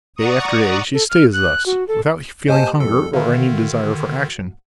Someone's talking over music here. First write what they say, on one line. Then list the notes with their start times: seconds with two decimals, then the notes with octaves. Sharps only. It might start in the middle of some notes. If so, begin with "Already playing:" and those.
Day after day she stays thus, without feeling hunger, or any desire for action.
0.15 D5 F#5 A#5 C#6 D#6
0.94 A4
1.10 F6
1.33 F#6
1.66 F#4
1.88 A4
2.48 A#3 G4 C5 D#5 G#5 A5
2.80 F2 G3 A4
3.13 D3 D#3 F#4 E5 F5